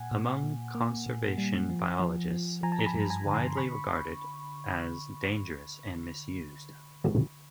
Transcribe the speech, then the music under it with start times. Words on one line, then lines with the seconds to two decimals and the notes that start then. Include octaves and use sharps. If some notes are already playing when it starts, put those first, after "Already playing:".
Among conservation biologists it is widely regarded as dangerous and misused.
Already playing: A#2 F#5 G#5
0.11 A#2
0.43 A#2
0.75 A#3
1.06 A#2
1.38 G3
1.70 F3
2.00 F3
2.31 F3
2.63 F3 G#5 A#5
2.72 A5
2.79 A#5
2.86 A5 B5
2.95 G2
3.10 G#5 A#5
3.26 D3
3.34 A#5 C6
3.57 B5 C#6